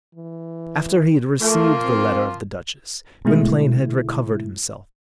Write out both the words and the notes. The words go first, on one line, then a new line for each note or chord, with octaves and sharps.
After he had received the letter of the duchess, Gwynplaine had recovered himself.
E3
F3 A3 A#3 F4
C4
B2 D3 G#3 A3 E4